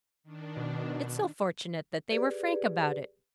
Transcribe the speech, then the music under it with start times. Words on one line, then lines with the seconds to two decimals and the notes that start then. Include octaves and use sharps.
It's so fortunate they were frank about it.
0.23 D#3 D4
0.57 B2
2.10 G4 G#4 B4 D5